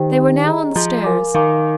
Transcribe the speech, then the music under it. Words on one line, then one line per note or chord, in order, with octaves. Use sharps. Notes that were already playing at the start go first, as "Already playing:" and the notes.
They were now on the stairs.
Already playing: D#3 G4 C5 G5
G4 C5 G5
G#4 D#5 A#5
F3 G#4 D#5 A#5
A#4 F5 G#5 D6
D#3 A#4 F5 G#5 D6